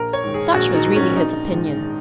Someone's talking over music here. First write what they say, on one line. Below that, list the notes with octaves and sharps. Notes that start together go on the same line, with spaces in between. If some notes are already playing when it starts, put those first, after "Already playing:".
Such was really his opinion.
Already playing: A#1 A#4
C#5
G#2 D#3
G#4
A#1 F#4
D#4
G#2 D#3
C#4
A#1 D#4
G#2 D#3